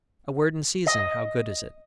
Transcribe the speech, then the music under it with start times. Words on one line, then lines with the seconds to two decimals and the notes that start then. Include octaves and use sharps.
A word in season, how good is it?
0.87 D#5